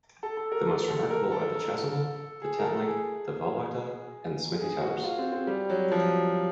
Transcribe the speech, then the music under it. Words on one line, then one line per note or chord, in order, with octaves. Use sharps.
The most remarkable are the Chasuble, the Tent-like, the Vologda, and the Smithy towers.
A4
A4
A#4
A4
A4
A#4
A4
G#4
A#4
A4
G#4
G#4
F#4
F#4
F4
C4
C4
G3
F#3
F3